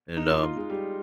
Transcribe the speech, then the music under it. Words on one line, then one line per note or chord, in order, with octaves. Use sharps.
And um
D#4
F4
F4
G#3
G3